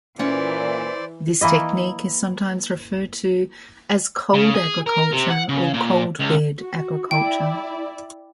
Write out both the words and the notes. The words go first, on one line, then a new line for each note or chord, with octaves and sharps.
This technique is sometimes referred to as "cold agriculture" or "cold-bed agriculture".
A#2 E3 C#4 C5 D5 F#5
E3 A#3 E4 D#5
C#3
G#4
A#4
C3
F#5
C#3
A#2
C#2
F#4
E4 D5 G5